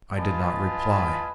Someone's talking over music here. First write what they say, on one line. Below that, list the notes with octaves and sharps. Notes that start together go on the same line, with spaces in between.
I did not reply.
F4 B4 D#5 G#5 A5 B5